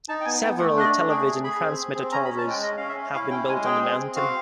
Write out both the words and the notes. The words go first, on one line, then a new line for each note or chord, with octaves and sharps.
Several television transmitter towers have been built on the mountain.
D#4 A5
G5
B3 G#5
B3 G5
A3 F#5
D4 D#5
D5
A3
G#4 G5
G#4
G#4 B5
C4
G#4
C4
C#4 A#5
B5
C#4
A5
G#3 G5
C#4 D#5
C#4 F5
E5
C#4
E4 F5
C#4 G5
G#3 G#5
G#4 G5
C4
C4
F#4 F5